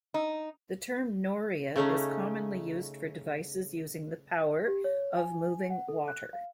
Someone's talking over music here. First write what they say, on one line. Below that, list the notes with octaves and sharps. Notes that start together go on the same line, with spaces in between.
The term noria is commonly used for devices using the power of moving water.
D#4
C#3 A3 C#4 D#4
G4
C#5
G#5
F#5
A4
F#6
F5